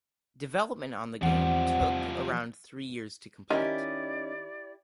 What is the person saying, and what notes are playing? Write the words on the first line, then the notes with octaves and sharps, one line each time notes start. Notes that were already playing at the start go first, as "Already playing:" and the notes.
Development on the game took around three years to complete.
E2 F3 G3 C4 F#5
D#3 C#4 D#4 E4 G4 D5